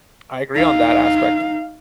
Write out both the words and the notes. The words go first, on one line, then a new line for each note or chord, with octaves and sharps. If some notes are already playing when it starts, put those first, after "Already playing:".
I agree on that aspect.
D#4 F5